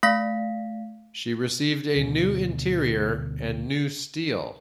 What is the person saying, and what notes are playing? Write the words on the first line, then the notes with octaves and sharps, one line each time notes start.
She received a new interior, and new steel.
A3 F5 A#6 B6
D2 B2